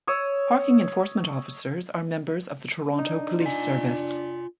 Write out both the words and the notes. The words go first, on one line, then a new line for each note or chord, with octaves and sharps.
Parking enforcement officers are members of the Toronto Police Service.
C#5 D#6 E6
D4 D#4
F4 G#5